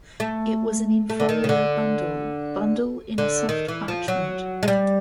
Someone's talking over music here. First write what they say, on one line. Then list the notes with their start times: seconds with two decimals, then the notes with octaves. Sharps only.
It was an in-folio bundle, bundle in a soft parchment.
0.20 A3
1.10 A3
1.20 D3
1.29 D#3
1.44 C#3
1.49 D3
3.18 D3
3.49 D#3
3.68 E3
3.88 F3
4.08 F#3
4.63 G#3
4.68 G3